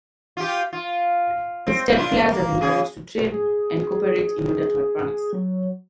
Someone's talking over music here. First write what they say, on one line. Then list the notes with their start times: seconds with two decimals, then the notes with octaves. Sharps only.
Instead, players are encouraged to trade and cooperate in order to advance.
0.37 F4 G4
0.73 F4
1.67 C4
1.95 D4 E4 F4
2.32 A#3
2.61 C#3 G#4
3.32 G#4
5.33 F#3